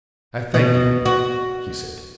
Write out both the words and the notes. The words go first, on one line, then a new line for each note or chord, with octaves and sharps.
"I thank you," he said.
B2
F#4